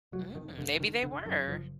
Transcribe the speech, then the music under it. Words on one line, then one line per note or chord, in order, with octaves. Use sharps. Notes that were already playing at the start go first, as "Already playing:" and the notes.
Mm, maybe they were.
F1 F#3
F2 D#3
F1 D3
D3 D#3
F1 D3
F#2 D#3
F#1 F3